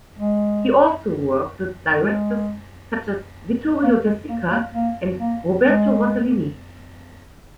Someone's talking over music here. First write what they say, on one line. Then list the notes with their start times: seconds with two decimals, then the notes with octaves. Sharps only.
He also worked with directors such as Vittorio De Sica and Roberto Rossellini.
0.18 G#3
2.00 G#3
3.83 A#3
4.05 G#3
4.29 A#3
4.51 A#3
4.74 A#3
5.19 A#3
5.66 G#3